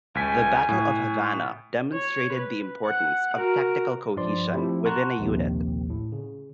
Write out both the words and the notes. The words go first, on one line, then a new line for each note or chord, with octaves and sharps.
The Battle of Havana demonstrated the importance of tactical cohesion within a unit.
C#2 G#5 B6
A2
C#5
B4
F#5
F#4 A#4
G2 F3 D5 C6
F3 A3 C4 E4 G4
F#5 A5 A#5 C6 C#6 F#6
A#1 D#2 C3
A2
C#3